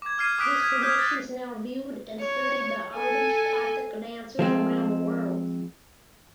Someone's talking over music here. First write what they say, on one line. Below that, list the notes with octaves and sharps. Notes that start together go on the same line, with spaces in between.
This production is now viewed and studied by ardent Kathak dancers around the world.
D6 G#6
D6 F6 G#6 C7 D#7
D6 D#6 F#6 B6 D7
G#6 B6
D#6 F6 G6 G#6 B6
A6
C#5
A4 G#5
F3 G#3 C4